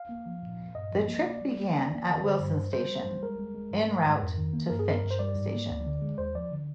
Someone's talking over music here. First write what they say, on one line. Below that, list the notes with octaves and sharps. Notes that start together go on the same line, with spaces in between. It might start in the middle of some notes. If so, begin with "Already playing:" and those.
That trip began at Wilson station en route to Finch station.
Already playing: F5
A#3
F3
A#2
A#2
G2 D#5
F3
A#3
C3 D5
G3
A#3
A#3
A#3
D#3
D3 C5
G2
G3
G3 C5
G3
G3
G#3 A#4
G#3
G#3
G#2
G#3
G#2
F2
D#3
A#3
G2 A#4
G#4
G2 A#4
G2
C5
G3 D5
G#2
A#3
D2
D3
G#3
D#2 C5
F3 D5
D3